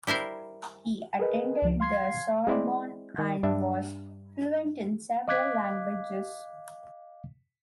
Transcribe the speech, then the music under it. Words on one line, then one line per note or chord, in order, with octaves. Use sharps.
He attended the Sorbonne and was fluent in several languages.
G3 E4 A#4 C5
G#4 A#4 B4 D#5
C#2 F3
F5 C6 G#6 C7
G#3 C4 E4 C5 D5
D#3
G2 D4 E5
D#5 F5 D6 F#6 G#6 B6